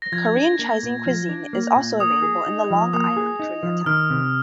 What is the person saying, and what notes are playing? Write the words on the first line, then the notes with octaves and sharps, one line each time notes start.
Korean Chinese cuisine is also available in the Long Island Koreatown.
A#6
F3 G#6
D4
A#3
A#2
F3
D4
A#3
A#2
A#3 D#6
G#4
D#4
F3
A#3 D#6
G#4
D#4
F3
D#3 F6
C3